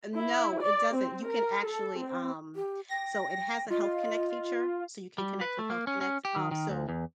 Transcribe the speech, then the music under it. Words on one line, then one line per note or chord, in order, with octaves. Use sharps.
No, it doesn't. You can actually, um, so it has a Health Connect feature, so you can connect with Health Connect, um, so,
E4
D5
C4
A#4
A4
C4
G4
G5 A#6
F4 D#5
G3
B4
A3
A#3
C#4
C#4
G4
D#3
D#3
D2
E2